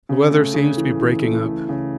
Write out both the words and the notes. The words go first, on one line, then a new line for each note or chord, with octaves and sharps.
The weather seems to be breaking up.
C#3
A3
C#3
E3
E3
A3
A3
C#3